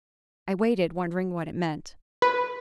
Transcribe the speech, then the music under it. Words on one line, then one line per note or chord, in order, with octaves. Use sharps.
I waited, wondering what it meant.
B4